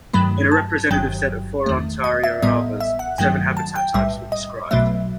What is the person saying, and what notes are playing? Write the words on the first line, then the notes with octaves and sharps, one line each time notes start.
In a representative set of four Ontario alvars, seven habitat types were described.
G2 D#3 F#3 A3 B5
A5
G1 G2 D#3 F#3 G5
E2 D#3 A3
D#5
E5
A1 A2 G3 B3 D#5
E5
F#5
G2 D#3 F#3 A3 G5
A5
G5
B1 A2 G3 E5
D#5
B1 B2 F#3 A3 E5